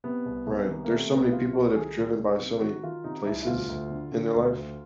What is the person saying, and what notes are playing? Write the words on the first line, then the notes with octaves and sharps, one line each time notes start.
Right, there's so many people that have driven by so many places in their life,
C3 B3
C2
C2
D#3
A#3
C3 A3
C2 B3
C3 F4
C2 F#4
A4
D#3 G#4
C2
C2
C3
D#3 F#4
D#3 F4
C3 D#4
C2 E4
E4
D2 F4
D2
D3
D3
D2
D2